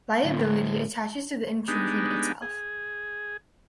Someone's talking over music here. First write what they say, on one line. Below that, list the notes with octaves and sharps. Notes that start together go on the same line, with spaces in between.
Liability attaches to the intrusion itself.
D2 A2
G#3 B3 D4 D#4 G4
G#4